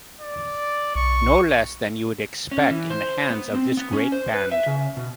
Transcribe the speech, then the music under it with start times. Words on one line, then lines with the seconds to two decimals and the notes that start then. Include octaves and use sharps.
No less than you’d expect in the hands of this great band.
0.21 D5
0.95 B1 C#6
2.51 C#4
2.71 E3
2.90 C5
3.30 B3
3.54 C4
3.77 B3
3.93 C#4
4.12 C5
4.34 B4
4.51 E5
4.66 C#3
4.97 B2